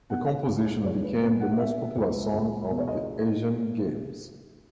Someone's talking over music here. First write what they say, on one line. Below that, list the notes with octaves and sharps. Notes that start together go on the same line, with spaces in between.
The composition became the most popular song of the Asian Games.
B2 F#5
C#2
C#2 C#5
B4
B2 B4
F#5
B2 E5
C#2
C#2
B2
C#5
D#5